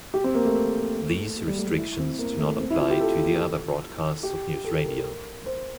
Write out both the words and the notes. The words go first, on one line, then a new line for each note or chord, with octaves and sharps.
These restrictions do not apply to the other broadcasts of Newsradio.
G4
C4
A#3
A3
A3
G3
A3
G3
E4
C4
A#3
A3
C4
E4
F4
G4
A4
G4
A4
A#4
C5